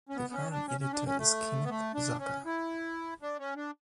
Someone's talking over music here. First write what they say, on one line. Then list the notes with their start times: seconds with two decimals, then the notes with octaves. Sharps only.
The current editor is Kenneth Zucker.
0.09 C#4
0.16 B3
0.30 B3
0.33 C#4
0.51 D4
0.68 C#4
0.80 C#4
0.93 D4
1.06 C#4
1.19 A3
1.64 B3
1.69 A3
1.94 D4
2.19 C#4
2.46 E4
3.22 D4
3.39 C#4
3.56 D4